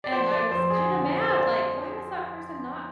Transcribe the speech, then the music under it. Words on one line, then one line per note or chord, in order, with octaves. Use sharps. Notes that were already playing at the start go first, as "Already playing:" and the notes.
And I was kinda mad, like, "Why was that person not
D5
F3 C5
D5
F2 C5
G#4
D3
C5
C4 C5
D5